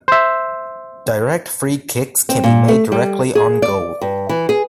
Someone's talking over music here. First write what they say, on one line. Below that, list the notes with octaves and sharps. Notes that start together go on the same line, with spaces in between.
Direct free kicks can be made directly on goal.
C5 E5
C4
A#2
A3
G3
G#4
D5
G2
E3
G#4